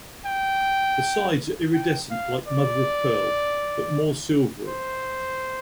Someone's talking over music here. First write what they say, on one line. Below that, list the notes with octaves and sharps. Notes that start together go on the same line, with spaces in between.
The sides are iridescent like mother-of-pearl, but more silvery.
G5
G5
F5
D5
C5